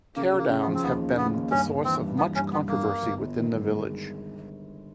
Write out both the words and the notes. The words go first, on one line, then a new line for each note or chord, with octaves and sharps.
Teardowns have been the source of much controversy within the village.
C#3 A#3
C#3 A#3
C#3
B3
F3
C4
D#2 B3
D#2
C#3 B3
D#2
G2 C#4
G2
E3 C4
G2
E3 B3
G2 C#4
G2 B3
G2 A#3
G2
G1
G1
D#3
G2
G#3
G#3